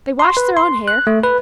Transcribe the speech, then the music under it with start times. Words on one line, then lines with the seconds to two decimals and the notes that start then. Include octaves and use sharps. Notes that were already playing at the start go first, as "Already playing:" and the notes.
They washed their own hair.
0.19 C6
0.37 B4
0.57 C6
0.88 F#6
1.07 A3
1.23 B4